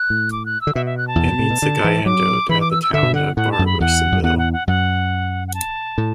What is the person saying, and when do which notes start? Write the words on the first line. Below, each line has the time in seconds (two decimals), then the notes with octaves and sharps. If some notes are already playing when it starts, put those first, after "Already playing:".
It meets the Guyandotte at the town of Barboursville.
Already playing: F#6
0.10 A2
0.32 D6
0.46 F#6
0.61 E6
0.67 D3
0.75 B2 E5
0.86 E5
0.98 F#6
1.08 A5
1.15 E2
1.27 F#2
1.39 A2
1.50 B2
1.62 D3
1.84 E3
2.06 F#3 D6
2.49 E3 B5
2.61 D6
2.71 E6
2.83 E6
2.93 D3 E5
3.03 B2
3.13 D3 F#5
3.36 A2 F#5
3.52 A5
3.59 F#2
3.66 B5
3.80 E2 F#5
4.12 F#2
4.23 E2 F#5
4.38 F#5
4.53 F#5
4.67 F#2 F#5
5.48 F#5
5.54 A5
5.98 A2